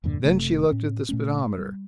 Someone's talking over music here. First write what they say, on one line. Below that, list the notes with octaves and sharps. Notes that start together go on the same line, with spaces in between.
Then she looked at the speedometer.
E2 G2 A#2 D3
F#1 C3 A3
A2 C#4
A#2 A3 C#4
G3